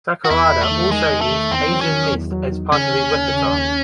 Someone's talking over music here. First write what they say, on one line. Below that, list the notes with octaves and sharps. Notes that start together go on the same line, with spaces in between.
Sakurada also used Asian mist as part of his repertoire.
F#4
E2 E4
E2
A3
D#3
D#3 G#3
D#3
A3
D#3
E2 C4
F#3
C#4
D#3
E2
F#3
D#3
C#3 C#4
D#2
D#2
C#3
D#2